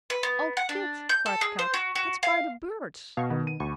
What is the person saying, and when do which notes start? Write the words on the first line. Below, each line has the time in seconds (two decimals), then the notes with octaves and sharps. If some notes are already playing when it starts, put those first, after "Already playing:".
"O Kit," cried Kat, "let's buy the birds!"
0.10 B4
0.23 B3
0.57 F#5
0.69 D4
1.09 G6
1.26 A4
1.41 G#4
1.59 C5
1.74 F#4
1.95 F#4
2.23 F5
3.17 B2 F5 C#6
3.30 D#3 B3
3.47 D#7
3.60 D2 C#6